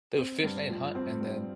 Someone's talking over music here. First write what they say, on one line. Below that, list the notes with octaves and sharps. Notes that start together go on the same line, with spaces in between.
they would fish and hunt and then
C4
G2
F3
C4
G2